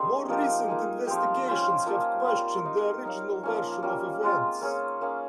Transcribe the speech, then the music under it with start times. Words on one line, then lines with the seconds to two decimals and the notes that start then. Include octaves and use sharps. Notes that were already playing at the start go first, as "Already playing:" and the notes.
More recent investigations have questioned the original version of events.
Already playing: G3 A#3 C4 D#4 G#4 C5
0.28 F3 A#3 D#4 G4
0.68 A#3 D#4 G#4
1.07 F3 C4 D#4 G4
1.46 C#4 F4 C5 F5
1.86 F3 A#3 F4
2.26 G3 C4 F4 A#4
2.65 D#4 A#4 F5
3.05 D#4 A#4 C#5 F5
3.43 F3 A#3 C#4
3.82 G3 A#3 C#4
4.23 G#3 C4 F4
4.61 A#3 C#4 G#4 C#5
5.01 A#3 C#4 G#4